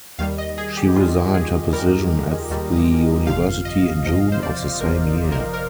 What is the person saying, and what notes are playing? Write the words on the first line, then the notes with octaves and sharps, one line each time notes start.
She resigned her position at the university in June of the same year.
D#2 D#3 G3 F5
D#5
G#4
G4
D#2 D#3 G3 F4
G#4
D#2 D#3 G3 A#4
D#2 D#3 G3
G1 F2 C3 F3 F5
D#5
G1 F2 C3 F3 D#5
C5
D5
G1 F2 C3 F3 A#4
A#4
A#4